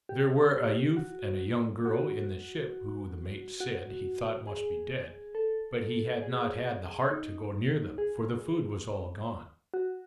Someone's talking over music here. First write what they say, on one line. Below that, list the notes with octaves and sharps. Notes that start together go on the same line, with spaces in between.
There were a youth and a young girl in the ship who the mate said he thought must be dead, but he had not had the heart to go near them, for the food was all gone.
G4
F#4
F#4
F#4
G#4
A4
G#4
D#4
G#4
F#4